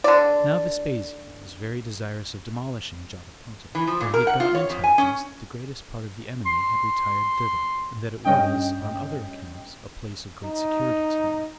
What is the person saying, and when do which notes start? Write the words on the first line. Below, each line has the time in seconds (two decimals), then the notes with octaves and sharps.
Now Vespasian was very desirous of demolishing Jotapata, for he had gotten intelligence that the greatest part of the enemy had retired thither, and that it was, on other accounts, a place of great security to them.
0.04 D3 D5
3.75 E3
3.87 F3
4.01 A#2
4.14 A#4
4.27 F#5
4.40 F4
4.55 C#5
4.70 F2
4.84 G#5
4.98 C#4
6.46 C6
8.25 G2 C#4 D#5 G5
10.44 D#4